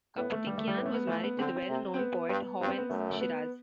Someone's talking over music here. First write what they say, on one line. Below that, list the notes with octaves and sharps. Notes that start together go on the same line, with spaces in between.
Kaputikyan was married to the well-known poet Hovhannes Shiraz.
A2 B3
A3
G2 G3
A3
G3
A2 B3
A3
B3
E3 A3
B3
D3 C4
C3
C4
B3
G2
G2
C4
B3
F#2 A3
A3
B3